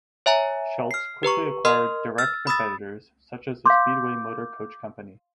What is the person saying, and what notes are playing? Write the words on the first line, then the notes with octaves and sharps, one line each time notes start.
Schultz quickly acquired direct competitors such as the Speedway Motor Coach Company.
C#5 E5 G#5 A#5
F6 C7
G4 B4 A#5 C#6
A#4 D#5 C6 F6
E6 F6 A6
B5 D#6 E6 A6
F5 C6 D6 G6